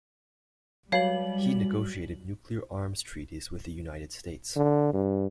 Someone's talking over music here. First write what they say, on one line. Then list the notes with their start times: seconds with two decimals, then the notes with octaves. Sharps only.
He negotiated nuclear arms treaties with the United States.
0.92 F#3 G3 F#4 C#5 F5 F#7
4.56 D3
4.93 G2